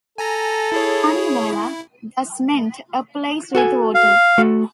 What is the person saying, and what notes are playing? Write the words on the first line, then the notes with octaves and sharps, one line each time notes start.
"Pani wala" thus meant "a place with water".
A4 G#5 A#5 A#6
E4 G#4 C#5
E4
F#4 A4 G#5
F5
A3 F#4 A4